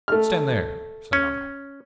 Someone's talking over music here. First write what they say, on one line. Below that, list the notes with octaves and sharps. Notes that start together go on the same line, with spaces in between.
"Stand there," said I.
A3 F6
C#4